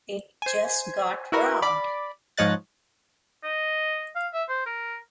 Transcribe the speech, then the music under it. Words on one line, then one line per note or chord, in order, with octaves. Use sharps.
It just got robbed.
C5 G#5
E4 F#4 A#4 B4
D5 B5 D6
G#2 F3 C#5 D#5 F#6 A6
D#5
F5
E5
C5
A#4